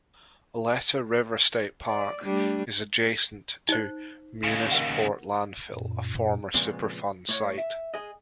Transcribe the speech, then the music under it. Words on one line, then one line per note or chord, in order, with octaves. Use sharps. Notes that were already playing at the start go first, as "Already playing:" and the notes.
Oleta River State Park is adjacent to Munisport landfill, a former superfund site.
D5
G3 A3 D4
D#4 C5
D#2 C#3
A#4 F#5
F#2 A#2
A#2 C#3 F3 G#3 B3 C4
A2 C#5
E5
G#4 D#5